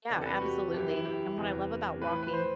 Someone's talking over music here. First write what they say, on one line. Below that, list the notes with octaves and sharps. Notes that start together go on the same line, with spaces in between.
Yeah, absolutely. And what I love about walking
E2 C3 E3 D5
A4
B4
F#4
G4
F#2 E3 G4
E4
G4
E2 C3 E3
A2 E3 B4
B4
C5